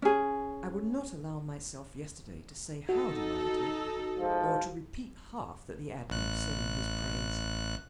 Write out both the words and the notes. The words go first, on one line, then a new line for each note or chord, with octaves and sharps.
I would not allow myself yesterday to say how delighted, or to repeat half that the Admiral said in his praise.
C#4 G#4
D#4 F#4 A4
G#2 F3
A1 F#6